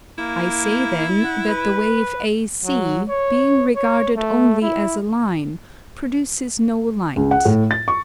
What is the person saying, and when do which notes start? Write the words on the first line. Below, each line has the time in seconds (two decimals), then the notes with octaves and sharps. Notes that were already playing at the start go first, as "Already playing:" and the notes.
I say then that the wave AC, being regarded only as a line, produces no light.
0.18 A#3 E4
1.24 F#5
1.48 B4
2.65 F#3
3.09 C#5
3.76 C#5
4.17 A3
4.62 E4
7.16 C#2
7.31 F#5
7.45 A2
7.71 A6
7.88 C#6